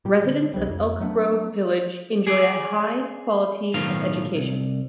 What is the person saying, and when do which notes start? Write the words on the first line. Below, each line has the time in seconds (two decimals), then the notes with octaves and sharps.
Residents of Elk Grove Village enjoy a high quality of education.
0.05 A#2 G3
0.24 D3
0.54 C2 F#3 G3
0.68 F2
1.00 F#3 A3 B3 D4
2.27 G#4 D5
3.74 B1 A2 D#3 F3 F5
4.35 C2